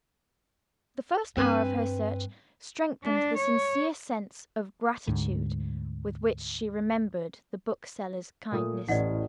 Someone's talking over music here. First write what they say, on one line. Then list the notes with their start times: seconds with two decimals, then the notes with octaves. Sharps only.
The first hour of her search strengthened the sincere sense of gratitude with which she remembered the bookseller's kindness.
1.37 G2 C4 B4 G#5
3.04 D4
3.38 C#5
5.08 D2 G#2
8.52 A#2 A3 D#6
8.88 A1 E2 D5 D#5 F#5